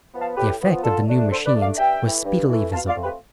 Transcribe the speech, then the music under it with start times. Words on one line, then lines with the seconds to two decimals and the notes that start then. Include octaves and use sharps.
The effect of the new machines was speedily visible.
0.13 F3 B3
0.21 F5 A5
0.36 A2 G4 B4
0.61 F3 B3
0.84 D3 F4 A4
1.07 A3 D4
1.31 D3 A4 C5
1.46 B4 D5
1.55 A3 D4
1.62 D5 F5
1.77 G2 E5 G5
2.01 E3 A3
2.24 G2
2.48 E3 A3
2.72 B2 F5 A5
2.87 D5 F5
2.95 A3 C4 F4
3.03 G4 B4